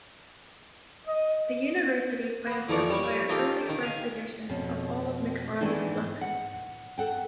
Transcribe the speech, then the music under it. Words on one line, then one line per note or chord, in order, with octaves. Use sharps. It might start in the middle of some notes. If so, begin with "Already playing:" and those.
The university plans to acquire early first editions of all of McFarlane's books.
D#5
B3 B4
F2 E3 F3 A#4 D5 C#6
G3 C#4
D#4 F4 G4 A4 A#4
D#3
F5 G#5
F2 B2 C#4
D#3 E3 G#3 A#3 B3 D4
F#5
A4 F#5 G5